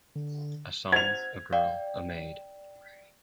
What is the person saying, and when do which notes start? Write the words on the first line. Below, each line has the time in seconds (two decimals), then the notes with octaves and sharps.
A song, a girl, a maid.
0.15 D3
0.92 C5 F#5 G#6 A6 F7
1.53 D5 F5 G5